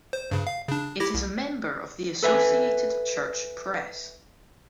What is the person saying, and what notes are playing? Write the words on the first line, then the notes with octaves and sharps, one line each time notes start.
It is a member of the Associated Church Press.
C5
G2 C#3
F5
C#3 D4
E4 G4 A#6
C2
A4 B4 E5 F5 G#5